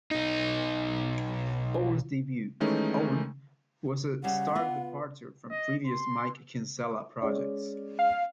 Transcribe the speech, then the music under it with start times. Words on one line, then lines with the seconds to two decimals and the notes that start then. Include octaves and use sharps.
Owen's debut, "Owen" was a stark departure from previous Mike Kinsella projects.
0.11 B1 D#4
2.60 D#3 E3 G#3 A3 C#4 D#4
4.24 C#3 G3 F#5
4.55 B3 F4
5.50 D#5
5.87 C6
7.22 G#3 C#4 D5
7.99 F5